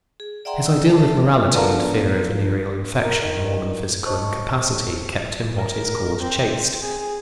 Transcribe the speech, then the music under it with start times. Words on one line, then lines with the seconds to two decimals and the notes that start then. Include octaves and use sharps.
His ideal of morality and fear of venereal infection, more than physical incapacity, kept him what is called chaste.
0.20 G#4
0.45 D5 E5 F#5 G5 A#5 C6
0.63 D5 G5 E6
0.84 D#4 A4 C5 E5 A5
1.54 F3 B3 D4 F4 A4 A#4
3.04 A#4
3.22 D#3
4.05 C5 C#5 D#5 A5 C#6
5.56 A#4
6.22 C4
6.82 G#4